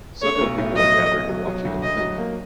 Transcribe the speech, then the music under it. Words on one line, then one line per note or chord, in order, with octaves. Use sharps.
Several people are gathered and watching an event.
A3 C#5
B1
A2
F#3 D#5
A3
B1
F#3
F#3
D2
D2 D#5
F#3
A#3